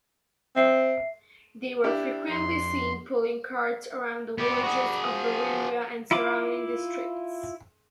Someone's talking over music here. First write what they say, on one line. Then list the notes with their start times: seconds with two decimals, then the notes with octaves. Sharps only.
They were frequently seen pulling carts around the villages of Bavaria and surrounding districts.
0.56 C4 E5 C7
1.84 D4 E4 G4
2.29 F2 C6
4.38 G3 B3 G4
4.64 F#4 G#4
5.05 F3
6.11 E4 F4 B5 D6